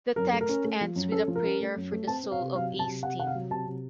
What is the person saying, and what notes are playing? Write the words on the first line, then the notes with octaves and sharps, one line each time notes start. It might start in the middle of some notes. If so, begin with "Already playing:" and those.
The text ends with a prayer for the soul of Eysteinn.
F#2 A#4
A3
A#4
C#4
A3
F3
F#2
C#4 A4
F3
A#4
C#4
A3
F#2
A3
C4 A5
C4
F5
C3
F#3 F5
C3
A5
C3
C3 F#5
C3 F#5
F5
F#3
C3 A5
C3